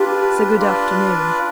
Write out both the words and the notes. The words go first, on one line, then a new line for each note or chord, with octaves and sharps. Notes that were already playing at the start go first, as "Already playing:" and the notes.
So good afternoon.'
Already playing: D4 F4 G4 B4 D5
D4 F4 B4 D5